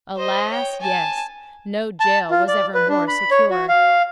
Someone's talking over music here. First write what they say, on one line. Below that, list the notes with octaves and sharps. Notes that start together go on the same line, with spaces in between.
Alas! yes: no jail was ever more secure.
C5 D#5
C#5 G5
G#5 A5
A5
F4
D5
B4
D4
B5
C#5
F#4
F5